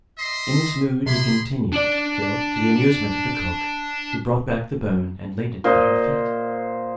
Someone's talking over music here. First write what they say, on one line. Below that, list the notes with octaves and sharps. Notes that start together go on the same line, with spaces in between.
In this mood he continued, till, to the amusement of the cook, he brought back the bone and laid it at her feet.
D#5 E5 C6
C3 G#4 B5 C6
D4 D5
A#2 C5 D#5